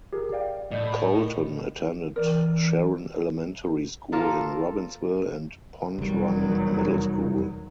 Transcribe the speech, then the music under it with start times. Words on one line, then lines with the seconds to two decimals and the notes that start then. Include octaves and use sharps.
Colton attended Sharon Elementary School in Robbinsville and Pond Run Middle School.
0.13 G4 G#4 A#4
0.32 D5 F5 G5
0.71 A2 D5 D#5 G6
0.87 B5
1.13 A#4 C#5 D#5
2.16 E3 A#4 D5
4.12 A#3 F4 A4 A#4
5.98 F1 E2 D#3 F#3 G3